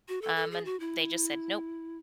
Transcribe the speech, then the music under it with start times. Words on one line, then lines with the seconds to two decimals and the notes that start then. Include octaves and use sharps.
Um, and they just said, nope.
0.08 F#4
0.22 A4
0.36 A4
0.51 G#4
0.65 F#4
0.80 E4